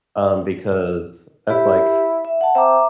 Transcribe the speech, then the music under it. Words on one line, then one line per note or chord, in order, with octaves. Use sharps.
um, because that's, like
E4 G4
E5
F#5 A5
C4 E5 A#5 D6